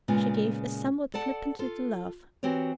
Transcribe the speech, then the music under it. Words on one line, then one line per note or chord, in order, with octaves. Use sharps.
She gave a somewhat flippant little laugh.
A#2 C#3 G#3 B3 F4
A4 D5 F#5 A5
F4 A4
E3 C4 F#4 G4 C#5